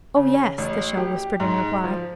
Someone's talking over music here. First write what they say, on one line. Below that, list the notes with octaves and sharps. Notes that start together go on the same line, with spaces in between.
"Oh, yes!" the shell whispered in reply.
C#3
A1
G4
G#2
F3